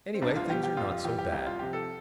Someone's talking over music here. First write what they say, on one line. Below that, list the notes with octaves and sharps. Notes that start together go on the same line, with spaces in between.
Anyway, things are not so bad.
C4
C2 D4
F4
B2 G3 G4
G4
F2 F4
G4
F4
E3 G3 G4
G4
C2 G4
F4
C3 F3 G4
A4